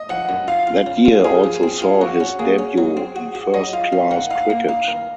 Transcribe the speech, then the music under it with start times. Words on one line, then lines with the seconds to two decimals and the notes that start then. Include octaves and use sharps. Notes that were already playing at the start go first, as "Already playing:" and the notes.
That year also saw his debut in first-class cricket.
Already playing: D#5
0.10 F3 F#5
0.29 F#2
0.48 F4 F5
0.67 F4
0.86 C#3
1.05 F4
1.24 F4 G#4
1.44 F3
1.63 C4
1.82 F4
2.01 F3 F#4
2.20 C#4
2.39 A#3 G#4
2.59 C#4
2.78 F#3
2.97 C4
3.16 F#4
3.35 F#4
3.54 F#3 D#5
3.73 F4 F5
3.92 C#4 F5
4.11 D#3 F#5
4.31 D#4 F5
4.50 A#3
4.69 D#4 F5
4.88 D#3